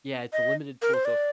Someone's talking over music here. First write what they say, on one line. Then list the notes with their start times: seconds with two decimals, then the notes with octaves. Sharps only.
Yeah, it's a limited pool, so
0.33 D#5
0.82 A#4
0.94 C5
1.05 D5